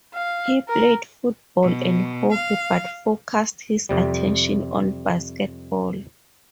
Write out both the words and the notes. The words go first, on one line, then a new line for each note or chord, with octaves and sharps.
He played football and hockey but focused his attention on basketball.
F5
A#4
B2
F5
F2 C3 G3